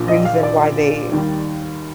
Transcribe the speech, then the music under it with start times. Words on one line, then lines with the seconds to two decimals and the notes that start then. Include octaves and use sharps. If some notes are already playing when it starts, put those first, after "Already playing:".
reason why they
Already playing: A#1 A#2 F3
0.08 D#5
0.25 F5
0.43 D5
1.12 D#2 D#3 G3